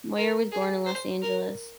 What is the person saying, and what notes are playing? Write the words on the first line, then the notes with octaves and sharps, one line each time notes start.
Moyer was born in Los Angeles.
A#4
G#4
C5
A#4